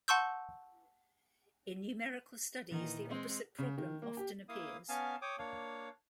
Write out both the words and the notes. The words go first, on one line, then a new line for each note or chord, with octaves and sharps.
In numerical studies the opposite problem often appears.
F#5 A5 C6 C#6 E6 G6
A#2 D#3 E3
G#3 C4
C#3
D#3
A#3
G4
A#3 E4 F5 D#6
B3 C#4 F5 G#5 A5
C#5 G5 D6 D#6
A#3 D4 C#5 F5